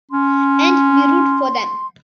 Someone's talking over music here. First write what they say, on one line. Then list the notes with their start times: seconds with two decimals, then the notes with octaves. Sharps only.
And we root for them.
0.11 C#4 C6